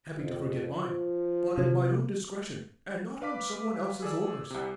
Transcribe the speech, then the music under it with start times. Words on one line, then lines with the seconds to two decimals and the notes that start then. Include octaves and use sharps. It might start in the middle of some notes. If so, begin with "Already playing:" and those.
I'm happy to forget mine, but at my own discretion, and not on someone else's orders.
0.18 F2
0.77 F3
1.57 C3
3.22 B4 F5 D6 B6
4.02 G#4 A4 D5 E6
4.50 C2 C3